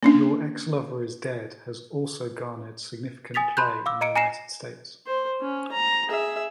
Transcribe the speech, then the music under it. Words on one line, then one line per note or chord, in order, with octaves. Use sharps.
"Your Ex-Lover Is Dead" has also garnered significant play in the United States.
A#3 C#4 D4
G#5 D#6 A6 B6 F7
A5 B5 C6 F#6 G6
F5 D6 E6
D#5 A#5 C#7 D7
G#5 A#5 A#6 C7 E7
C5
C#4
A#5
G#4 E5